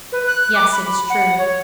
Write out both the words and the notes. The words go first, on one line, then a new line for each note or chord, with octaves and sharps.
Yes, it is true.
B4
F#6
D6
B5
F#5
C#5